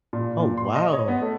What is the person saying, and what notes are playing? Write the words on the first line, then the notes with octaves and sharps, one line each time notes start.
Oh, wow.
A#2
A#2
C6
D#5
C#5
B3
A3